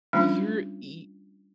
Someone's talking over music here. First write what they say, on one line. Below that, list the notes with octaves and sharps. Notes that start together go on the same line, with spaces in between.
you're y
D#3 G3 A3 C#4 D4 F4